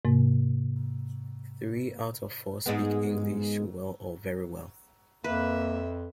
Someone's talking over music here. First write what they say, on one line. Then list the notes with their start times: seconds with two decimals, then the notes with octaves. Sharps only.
Three out of four speak English well or very well.
0.05 G#2 C3 A#3
2.66 G#2 G#3 B3
5.24 F2 A#3 B4 E5